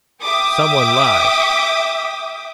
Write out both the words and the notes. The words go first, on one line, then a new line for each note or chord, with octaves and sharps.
Someone lies.
E5 G5 D6 D#6